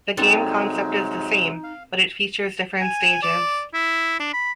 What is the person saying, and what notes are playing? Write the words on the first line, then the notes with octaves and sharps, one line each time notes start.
The game concept is the same, but it features different stages.
C3 F#3 G#3 C4 D4 D#4 A4
F5
G#5
D5
E4
D4
B5